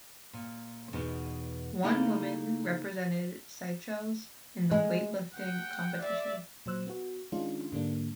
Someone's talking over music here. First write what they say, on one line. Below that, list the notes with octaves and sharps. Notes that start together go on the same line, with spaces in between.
One woman represented Seychelles in the weightlifting competition.
A#2
E2 B2 D#4
C#3 A#3 D#4 E4 A4 D5
G#3
F#5 G5
D5 E5
A#2 F#3 C5 E6 F#6
B3 F#4
D#3 G#3 C#4 D4 F4
G#2 D3 G3 A#3 D4